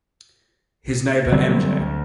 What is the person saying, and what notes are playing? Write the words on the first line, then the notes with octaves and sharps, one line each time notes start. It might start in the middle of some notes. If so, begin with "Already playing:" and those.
His neighbor M. J.
D3 F#3 G3 C4
D2